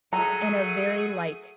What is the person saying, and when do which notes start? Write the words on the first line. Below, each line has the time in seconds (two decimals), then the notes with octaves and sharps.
in a very, like,
0.13 F#3 A3 G#4 A#5 D#6